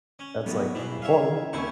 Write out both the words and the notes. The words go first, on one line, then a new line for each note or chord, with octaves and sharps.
that's, like, important.
C#4
F#3 G3 B3 D#4
B2 E4 G#4
C#5 E5 F5
D#2 D#3 C4 C#4 E4 C#6